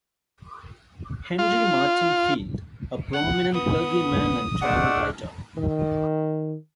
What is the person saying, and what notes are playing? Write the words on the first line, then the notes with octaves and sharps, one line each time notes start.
Henry Martyn Field, a prominent clergyman and travel writer.
F4
F#5
B3 D#6
G#3 A3 D4 F#5
D#3